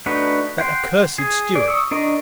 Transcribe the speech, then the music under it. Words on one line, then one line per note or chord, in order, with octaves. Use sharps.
That accursed steward!
A3 D4 D#4 F#4 B4
F#5 G5 C6
G#4
D5
C#6 D#6 E6
D4 A#4 D#5 C#6